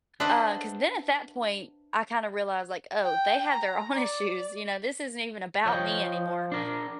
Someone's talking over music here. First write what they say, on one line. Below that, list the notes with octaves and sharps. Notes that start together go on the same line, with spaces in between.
uh, 'cause then at that point, I kind of realized like, "Oh, they have their own issues, you know, this isn't even about me anymore."
D4 B4 C5 D#5 E5 F#5
G5
A#5
D5
F3 C#5 D#5 G5
D4 A#4